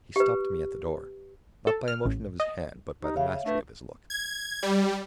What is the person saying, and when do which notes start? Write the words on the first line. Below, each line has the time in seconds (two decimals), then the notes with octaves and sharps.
He stopped me at the door--not by a motion of his hand but by the mastery of his look.
0.16 G4 B4
1.67 A4
1.88 F6
2.06 A1
2.40 D#5
3.03 D#4 G4
3.16 C#3 C#5 E5 F5
3.46 A3 D4 B4
4.10 G#6
4.63 G3